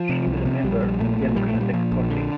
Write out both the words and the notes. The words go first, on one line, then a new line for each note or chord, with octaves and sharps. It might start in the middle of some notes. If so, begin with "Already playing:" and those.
She was a member of the Democratic Party.
Already playing: F3
C3
C2
C3
A#1 G3
A#1
A#2 A3
A#1
A#2 G3
A3
A#2
G3
A#2 F3
A#1
D3